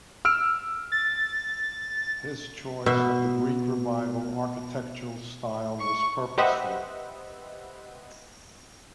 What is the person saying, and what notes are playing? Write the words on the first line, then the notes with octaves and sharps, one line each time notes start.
His choice of the Greek Revival architectural style was purposeful.
E6 F6 D7
A6
B2 E5
C#6
G4 B4 C5 D#5 E5 F#5